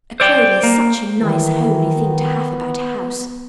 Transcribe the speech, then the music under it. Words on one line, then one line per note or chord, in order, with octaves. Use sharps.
A cradle is such a nice homely thing to have about a house.'
C5 D5 G5
A#3
D#3 E3
B3